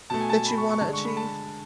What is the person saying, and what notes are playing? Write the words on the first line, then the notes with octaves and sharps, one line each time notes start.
that you wanna achieve?
B2 A3 A5
G#5
A5
B5
C#6
C#6
D3 G#3 A5
C#6
B5
A5